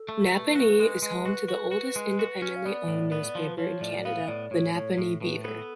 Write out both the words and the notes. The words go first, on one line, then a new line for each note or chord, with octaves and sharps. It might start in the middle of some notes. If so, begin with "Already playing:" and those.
Napanee is home to the oldest independently owned newspaper in Canada, "The Napanee Beaver".
Already playing: A4
A3
A3 B4
F#4
G#3
G#3
F#4
F#4
F#4
G#3
F#4
C#4
F5
B3 D5
A2
B3
F3
B4
F3 C#5
A2 D5
B3 F5
A2 D5
A2 C#5
A2 C#5
A2
A2 B4
B3 A4